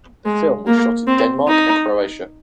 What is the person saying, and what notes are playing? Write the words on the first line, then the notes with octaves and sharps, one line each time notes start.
The film was shot in Denmark and Croatia.
G#3
A#3
C4
D#4